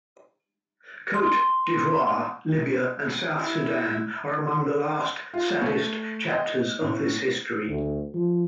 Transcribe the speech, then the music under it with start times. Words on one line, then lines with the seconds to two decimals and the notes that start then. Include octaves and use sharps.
Côte d'Ivoire, Libya and South Sudan are among the last saddest chapters of this history.
1.14 C6
3.39 E4
5.34 F4
5.62 A3
6.30 D#5
6.81 A2
7.67 D2
8.14 F3